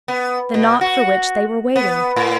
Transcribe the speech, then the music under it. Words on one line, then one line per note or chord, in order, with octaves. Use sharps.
The knock for which they were waiting!
B3
B2
F#4
B3
A2